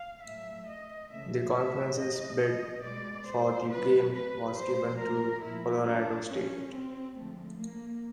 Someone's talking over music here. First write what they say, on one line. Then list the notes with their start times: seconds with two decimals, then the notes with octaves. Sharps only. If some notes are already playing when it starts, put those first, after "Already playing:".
The conference's bid for the game was given to Colorado State.
Already playing: F5
0.24 A2 F#3 A3 E5
0.68 D#5
1.11 C#3 E3 A3 E5
1.55 E5
1.98 A2 E3 A3 D#5
2.84 B2 G#3 D5
3.28 C5
3.71 C#3 F#3 A3 B4
4.14 B4
4.57 A2 F3 A3 C5
5.00 A#4
5.43 A#2 F3 A3 E4
5.87 D4
6.30 B2 G3 C#4
6.74 C4
7.16 D3 F3 G#3 A3
7.60 A#3